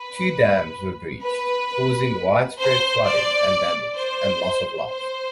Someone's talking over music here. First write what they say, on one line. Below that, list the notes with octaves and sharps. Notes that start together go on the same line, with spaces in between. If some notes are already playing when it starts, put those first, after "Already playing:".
Two dams were breached, causing widespread flooding and damage, and loss of life.
Already playing: B4
B4
C5
D5
C5
C5